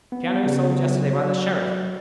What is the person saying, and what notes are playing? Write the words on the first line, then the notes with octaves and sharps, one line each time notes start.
Piano sold yesterday by the sheriff.
B3
C#3
F#3
F#3